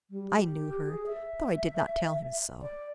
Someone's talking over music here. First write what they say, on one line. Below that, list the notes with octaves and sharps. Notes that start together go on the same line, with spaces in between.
I knew her, though I did not tell him so.
G3
G4
G#4
E5
D5